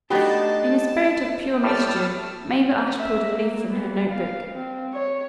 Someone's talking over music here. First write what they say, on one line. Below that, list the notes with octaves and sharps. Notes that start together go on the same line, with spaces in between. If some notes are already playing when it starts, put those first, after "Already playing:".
In a spirit of pure mischief Mabel Ashe pulled a leaf from her note book.
A3 B3 D4 D#4 F#4 G4 A5
A2 G3 A5 E6 F6
E5
A#3
B3
F5
C4
C#5